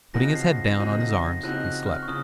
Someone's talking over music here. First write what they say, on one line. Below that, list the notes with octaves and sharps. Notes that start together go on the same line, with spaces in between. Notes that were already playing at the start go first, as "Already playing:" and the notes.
Putting his head down on his arms, he slept.
C#3 F3 C4 D#4 F#4 A#6
C7
A#6
C#3 F3 C4 D#4 F#4
A#6
A#6
C#3 F3 C4 D#4 F#4 F#6
F#6
F6
C#6
C#3 F3 D#6